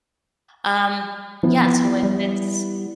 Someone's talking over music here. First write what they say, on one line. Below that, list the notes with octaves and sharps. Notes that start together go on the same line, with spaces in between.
Um, yeah, so if it's
E3 F3 B3
G3